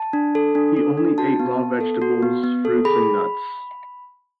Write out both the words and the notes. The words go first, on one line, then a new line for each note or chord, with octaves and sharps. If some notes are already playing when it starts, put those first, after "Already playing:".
He only ate raw vegetables, fruits and nuts.
Already playing: A5
D4
A4
D4
A4
D4
F#4 A5
B3
B3
A4
F#4
B3
B3
A4
G#4 B5